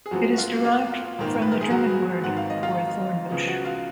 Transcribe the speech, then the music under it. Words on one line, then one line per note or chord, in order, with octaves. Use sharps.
It is derived from the German word for a thorn bush.
G#4
F#2 F3 F#3 G#3 B3 F#4
F#4
F4
F4
A#1 G#2 D#3 A#3
B4
A#4
G#4
F#3 F#4
G#1 G#2 D#3 F#5
F5
D#5
F4 F5
C#2 C#3 F3 B3
F#4 F#5
F4 F5